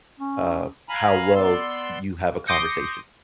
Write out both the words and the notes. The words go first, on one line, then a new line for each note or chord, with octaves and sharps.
uh, how well you have a conversation.
C#4
F5 G#5 A#5 B5
B3 D5 C6 E6
C6 D6 D#6 G6 A#6 C#7